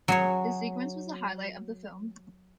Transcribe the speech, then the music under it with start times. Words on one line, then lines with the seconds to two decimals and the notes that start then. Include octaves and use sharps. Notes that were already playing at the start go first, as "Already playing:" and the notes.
The sequence was the highlight of the film.
0.08 F#3 G#4 C#5